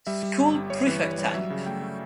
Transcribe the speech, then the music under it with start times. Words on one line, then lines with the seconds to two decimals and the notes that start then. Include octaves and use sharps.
School prefect type.
0.07 G3 E5
0.23 G3
0.39 G1
0.55 G3
0.70 G3 C#5
0.87 E3 B4
1.03 G3 C#5
1.11 B4
1.18 G3 C#5
1.34 F#3 E5
1.50 C#3
1.66 A3 G5
1.82 A3